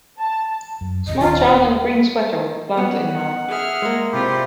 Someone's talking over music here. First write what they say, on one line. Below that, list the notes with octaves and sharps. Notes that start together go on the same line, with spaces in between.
Small child in green sweater with plant in mouth.
A5
F#2
D#1 E2 B2 D#5
D#1 A#1 D#3 F4
B3 C#4 F#5
G#4 E5 F6
G#3 A#3
C3 G3 E4 F4 G4